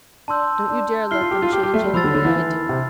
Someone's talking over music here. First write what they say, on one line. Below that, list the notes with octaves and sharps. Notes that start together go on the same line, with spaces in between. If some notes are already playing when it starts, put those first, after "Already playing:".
Don't you dare let them change any way I do.
D4 A5 C6 E6 G6
D4
E4 F6 C7 G7
F4
G4
F4
G4
G4
A3
G3
F3 B5 E6 A6
D3
D3
E3
E3
C3